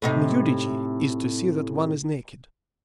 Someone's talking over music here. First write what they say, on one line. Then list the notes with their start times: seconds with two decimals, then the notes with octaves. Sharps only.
Nudity is to see that one is naked.
0.02 A2 C3 D#4